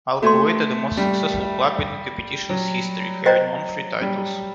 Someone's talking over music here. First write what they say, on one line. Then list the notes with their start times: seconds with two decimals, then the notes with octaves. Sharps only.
Al-Kuwait are the most successful club in the competition's history, having won three titles.
0.22 A3 F#4 A4 D5 A5 C6
0.97 G3
2.50 F#3
3.26 C5 D#5 G5 A#5
4.01 G3